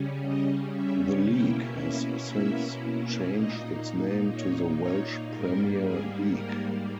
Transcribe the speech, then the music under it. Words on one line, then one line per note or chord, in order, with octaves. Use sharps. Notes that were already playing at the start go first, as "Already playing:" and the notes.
The league has since changed its name to the Welsh Premier League.
Already playing: C#3 G3 C#4
D#5
E5
B2 A#3 C#4 E4 G5
E5
E5
A#2 A#3 D#4 D#5
C#5
C#5
G#2 G3 A#3 A#4
G#4
A#4